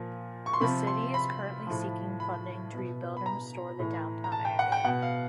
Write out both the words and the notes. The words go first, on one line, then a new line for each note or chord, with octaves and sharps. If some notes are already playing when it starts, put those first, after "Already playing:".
The city is currently seeking funding to rebuild and restore the downtown area.
Already playing: A#2 F3
C#6
C6
C3 F3 B5
C6
B5
A2 F3
B5
B2
B5
A#5
A2 E3
A#5
A5
G5
F#5
G5
B2 F#5
F5